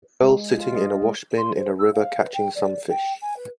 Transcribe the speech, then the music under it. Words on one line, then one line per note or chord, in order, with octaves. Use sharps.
A girl sitting in a wash bin in a river catching some fish.
G#3
F4
D#5
G#3
C6
C5
E6
F5
B4
G5
D5
G5
G#5
B4